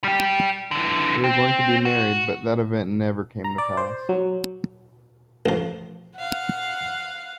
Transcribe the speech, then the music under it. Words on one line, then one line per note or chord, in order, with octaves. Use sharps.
They were going to be married, but that event never came to pass.
G3 G4
D3 E3
C4
F#4
A#5
D5
C5
F#3
A1 F3
F5 F#5